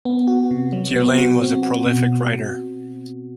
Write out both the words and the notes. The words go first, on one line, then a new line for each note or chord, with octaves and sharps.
Guillain was a prolific writer.
B3
F#4
C3
F#3
B3
F#4
C4
F#4
B2